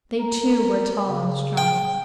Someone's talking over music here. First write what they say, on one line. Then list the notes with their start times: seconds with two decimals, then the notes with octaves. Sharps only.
They, too, were tall and strong.
0.19 A#4
1.08 C#3
1.57 G5